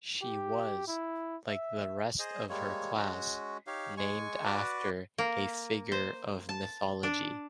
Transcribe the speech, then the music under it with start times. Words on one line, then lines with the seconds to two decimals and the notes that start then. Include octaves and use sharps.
She was, like the rest of her class, named after a figure of mythology.
0.22 G4
0.88 E4
1.48 E5
2.19 G#4 C5 D#5
2.49 G3 G#3 A#3 C#5
2.95 G#3 C#4 F#4
3.67 D#4 G4 C#5 F5
3.97 G#3 G#5 C#6
4.45 F#4 B4 D5
5.18 A#3
5.92 C5
6.49 A5
7.03 D4